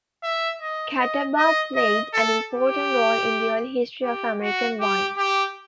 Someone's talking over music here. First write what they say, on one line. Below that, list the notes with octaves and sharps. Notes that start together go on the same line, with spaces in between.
Catawba played an important role in the early history of American wine.
E5
D#5
D#5
D#5
D#5
A4
G4
G4
F#4
G4
G4